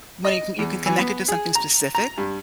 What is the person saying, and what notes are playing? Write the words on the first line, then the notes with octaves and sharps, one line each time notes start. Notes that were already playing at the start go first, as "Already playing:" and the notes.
when you can you can connect it to something specific,
D#5
E2
E3
B3
G#4
A#5
A#5
G2